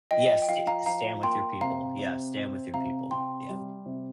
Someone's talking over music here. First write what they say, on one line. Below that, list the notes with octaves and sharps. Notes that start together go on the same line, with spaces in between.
Yes, st stand with your people. Yeah, stand with your people, yeah.
F3 D#5 G5
G5
F3 F5
F5 A#5
F3 F5 A#5
A#3 G5 C6
C3 F5 A#5
C3
C4
C3 F5 A#5
C3 G5 C6
G3
C3